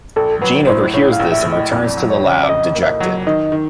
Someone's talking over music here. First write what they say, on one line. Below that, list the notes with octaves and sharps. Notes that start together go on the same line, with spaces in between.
Gene overhears this and returns to the lab, dejected.
A#1 A4
F#3 B4
A2 C5
A2 C#5
F5
A#1
E5
A2
D#5
F2 D5
F#3
C#5
C#3
D5
F2 D#5
A#3
E5
D#5
F#3
D#3 D#5
D#3